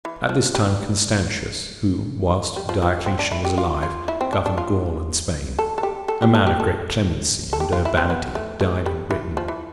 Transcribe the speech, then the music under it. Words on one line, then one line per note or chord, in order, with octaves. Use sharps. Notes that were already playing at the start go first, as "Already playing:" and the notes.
At this time Constantius, who, whilst Diocletian was alive, governed Gaul and Spain, a man of great clemency and urbanity, died in Britain.
E3
F3
G3
G3
F3
F3
C4
D4
E4
G4
F4
F4
E4
C4
D4
D4
F4
A4
A4
G4
A4
G4
A4
G4
A4
A4
G4
F4
E4
C4
B3
A3
A3
G3
E3
F3
E3